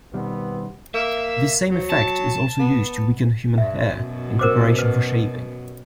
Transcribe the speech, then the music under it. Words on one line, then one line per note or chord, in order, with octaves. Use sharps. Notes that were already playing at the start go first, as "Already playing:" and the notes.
This same effect is also used to weaken human hair in preparation for shaving.
B2 D#3 G3 B3 C4 B4
A#3 E5
F#3
A5
B3
G2 E5
F#2 B2
A#4 C5 D6
B4